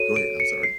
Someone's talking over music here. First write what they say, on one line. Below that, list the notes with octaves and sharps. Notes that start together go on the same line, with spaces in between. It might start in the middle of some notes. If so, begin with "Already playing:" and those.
Go ahead, I'm sorry.
Already playing: F#4 A4 C#5 D#7
D7
C#7
C7